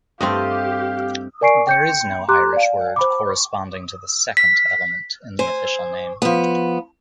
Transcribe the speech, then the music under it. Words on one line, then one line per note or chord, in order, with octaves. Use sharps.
There is no Irish word corresponding to the second element in the official name.
G2 A3 C4 F4 G4 D#5 F5
A#4 D5 G#5 C#6 C7 D7
G5 G6 C#7
G4 A#5 C6 D6 F#6
D5 F5
C5 B5 D6
B6
C5 G#5
F3 B3